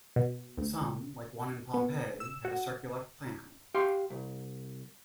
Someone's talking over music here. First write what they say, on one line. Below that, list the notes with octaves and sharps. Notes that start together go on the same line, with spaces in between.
Some, like one in Pompeii, had a circular plan.
B2
D2
C#2
B3
E6
F#4
G4 F5 C6
C2